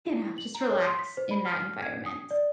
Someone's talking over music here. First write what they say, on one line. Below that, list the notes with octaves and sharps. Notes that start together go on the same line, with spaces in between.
you know, just relax in that environment.
E4
F#7
A#5
C#5
C6
B6
C5
B5
F6
G#6
D#6
D5